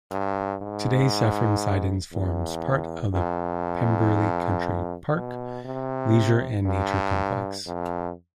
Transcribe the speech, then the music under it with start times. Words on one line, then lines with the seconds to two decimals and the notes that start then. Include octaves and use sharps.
Today Cefn Sidan forms part of the Pembrey Country Park leisure and nature complex.
0.11 G2
0.62 G#2
2.13 E2
3.13 F2
5.15 B2
5.65 C3
6.66 G2
7.67 F2